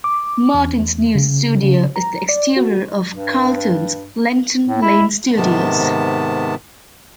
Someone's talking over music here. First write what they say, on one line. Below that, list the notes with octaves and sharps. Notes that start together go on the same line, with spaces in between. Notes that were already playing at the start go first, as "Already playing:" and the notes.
Martin's news studio is the exterior of Carlton's Lenton Lane studios.
D6
E2
C#3
C#3
A#5
D5
F#4
G2
A2
E4
G#2 C3 D#3 B3 A5